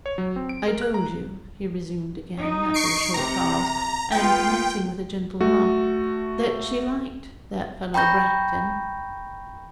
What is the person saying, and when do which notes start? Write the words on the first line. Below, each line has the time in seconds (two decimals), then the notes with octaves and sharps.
'I told you,' he resumed again, after a short pause, and commencing with a gentle laugh, 'that she liked that fellow, Bracton.'
0.06 C#5
0.18 F#3
0.36 C4
0.49 D7
0.68 A#4
0.82 F#6
0.94 A#5
2.38 D#4
2.74 C#6 C7 D7
3.14 C3 A#5
4.12 B3 F4 G5
5.40 A3 F#4
7.94 G5 A#5 B5 C#6 G6 A#6